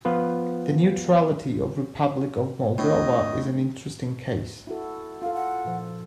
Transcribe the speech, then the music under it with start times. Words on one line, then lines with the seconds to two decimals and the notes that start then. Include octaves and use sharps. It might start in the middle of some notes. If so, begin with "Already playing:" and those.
The neutrality of Republic of Moldova is an interesting case.
0.05 F3 B3 F4 B4
2.78 A2 A3 C4 D4 D#5
4.67 E4 F#4 A4
5.22 F4 A4 F5
5.34 F#5
5.65 A#2 F3